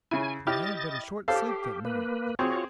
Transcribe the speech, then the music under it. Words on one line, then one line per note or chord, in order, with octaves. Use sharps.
They had but a short sleep that night.
C#3 E4 G#5
E4 G4 D#5 F6 A6
G4 A4 C5 F5
A#3 B4
C4 F4 F#4 G#4 C#5